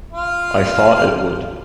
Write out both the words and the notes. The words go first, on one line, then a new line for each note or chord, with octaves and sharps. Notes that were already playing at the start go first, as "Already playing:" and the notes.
I thought it would.
F4 F5